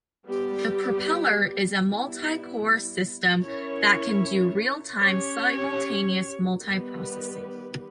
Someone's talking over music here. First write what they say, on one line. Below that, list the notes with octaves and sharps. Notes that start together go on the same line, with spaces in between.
The Propeller is a multicore system that can do real-time simultaneous multiprocessing.
G3 B3 G4
G3 B3 E4
C#4 E4 A#4 C#5
C#4 G4 C#5
D#3 G3 B3 G4 B4